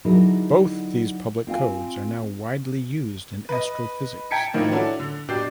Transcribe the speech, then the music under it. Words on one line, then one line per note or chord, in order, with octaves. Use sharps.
Both these public codes are now widely used in astrophysics.
D3 F#3 D#4 E4 G#4 A#4
C4 F4 F5 G#5
B4 D#5
G5 A5 G#6 B6 C#7 D7
A2 D#3 F3 A#3 D#4
C#4 D4 E4 F#4 A4
D3
B2 D4 G4 G6 C7